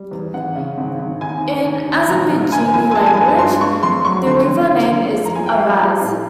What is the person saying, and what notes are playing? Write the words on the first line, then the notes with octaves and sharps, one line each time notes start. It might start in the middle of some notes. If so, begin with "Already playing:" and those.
In Azerbaijani language, the river name is "Araz".
Already playing: G3
E2
G#1 F#5
C#3
G#1
G#1
D#2 G#5
D#2
D#2
D#2
A#1 A#5
A#1
A#1 G#5
F3 G#5
G#5
G#3 A5
G#5
G2 G#5
A5
G2 C6
G#3 C#6
F2 C6
F#3 C#6
D3 C6
F2
D3
F2
F3
A#5
F3 G#5
G5
G3 F5
G3
A2